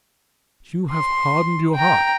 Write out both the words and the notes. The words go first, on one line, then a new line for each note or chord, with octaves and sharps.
You have hardened your hearts.
C6
G5 A#5